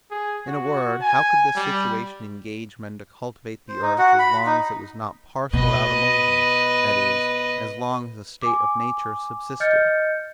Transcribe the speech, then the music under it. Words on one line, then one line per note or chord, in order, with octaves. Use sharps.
In a word, how could this situation engage men to cultivate the earth, as long as it was not parcelled out among them, that is, as long as a state of nature subsisted.
G#4
F#4
G#5
G3
C5
D#4
F#4
B5
D#4
B2 B4 D#5
G#5 D6
D#5 F6 G6 A6 C#7